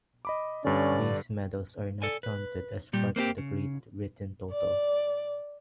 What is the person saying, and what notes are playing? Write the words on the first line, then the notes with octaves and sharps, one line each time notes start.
These medals are not counted as part of the Great Britain total.
D#5 B5 D6
G2 D3 C#4 D5
A4 D5 G#5
B4
A#2 G3 G4
A#3 C4 D4 G4
C#3
D5